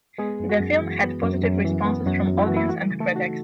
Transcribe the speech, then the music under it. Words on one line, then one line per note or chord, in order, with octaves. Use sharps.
The film had positive responses from audience and critics.
G#3 B3 G#4
F#2
F#4
F#2
E3
B3
F#2
F#2
E3
B3
F#2 F#4
F#2
E4
E3 F#4
E4
A3 F#4
C#3
A3 A4
D#4
F#4